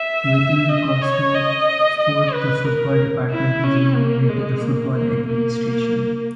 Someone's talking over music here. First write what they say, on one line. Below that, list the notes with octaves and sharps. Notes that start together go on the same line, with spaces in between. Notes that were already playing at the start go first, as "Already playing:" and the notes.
Within the Goskomsport, the football department was renamed into the Football Administration.
Already playing: E5
D#5
C#5
D#5
D#5
B4
A#4
E4
C#4
A#3
G#3
A#3
A#3
A#3